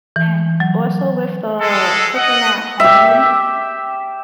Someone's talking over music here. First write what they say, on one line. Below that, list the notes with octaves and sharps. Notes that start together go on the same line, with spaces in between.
And also with the cooking at home,
E3
F#3
G#3 A4
D#5 F#5
G4 E5